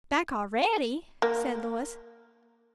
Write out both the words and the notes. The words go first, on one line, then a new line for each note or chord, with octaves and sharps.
"Back already!" said Louis.
A#3